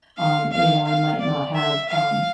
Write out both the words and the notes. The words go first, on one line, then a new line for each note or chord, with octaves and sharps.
um, you know, I might not have, um,
F5
F5
F5
D5
E5
F5